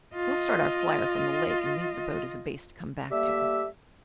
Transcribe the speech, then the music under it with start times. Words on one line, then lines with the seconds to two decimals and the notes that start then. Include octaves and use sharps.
"We'll start our flier from the lake and leave the boat as a base to come back to."
0.15 F4 D#5
3.11 G3 A3 A#3 G4 E5